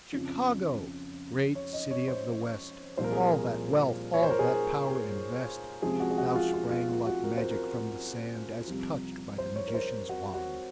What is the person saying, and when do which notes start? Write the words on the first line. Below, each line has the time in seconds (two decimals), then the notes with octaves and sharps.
Chicago! great city of the West! All that wealth, all that power invest; Thou sprang like magic from the sand, As touched by the magician's wand.
0.12 F2 C#3 F3
1.55 C#5
1.73 D#5
1.91 C#5
2.08 C5
2.97 C2 A#2 F3 C5
3.04 A#4
3.12 G#4
3.20 A#4
4.14 C#5
4.23 C5
4.31 A#4
4.39 G#4
5.82 C#2 C3 F3 G#4
6.00 F#4
6.11 G#4
6.18 F#4
6.35 F4
6.54 F4
6.71 F4
6.89 F4
7.07 F#4
7.24 A#4
7.37 C5
7.51 A#4
8.67 C2 C3 F3
9.38 C5
9.55 C#5
9.68 A#4
9.74 C5
10.09 F#4
10.34 F#4